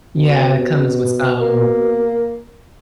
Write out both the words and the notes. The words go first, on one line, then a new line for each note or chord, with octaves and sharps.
Yeah, it comes with some or
B2
A#3